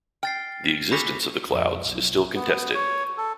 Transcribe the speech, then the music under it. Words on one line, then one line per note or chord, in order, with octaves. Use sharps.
The existence of the clouds is still contested.
G5 F6 A6 C7
F#4 G#4 A4 B5 D6 B6
F2
B1
B3
C#5
A4